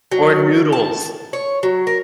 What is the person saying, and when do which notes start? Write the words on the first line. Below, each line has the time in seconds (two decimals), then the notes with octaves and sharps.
Or noodles.
0.12 F#3
0.72 A5
1.33 C#5
1.63 F#3
1.87 A#4